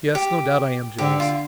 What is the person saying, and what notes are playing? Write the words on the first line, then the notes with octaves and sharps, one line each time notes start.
Yes, no doubt I am jealous.
G4
D3 G4
F4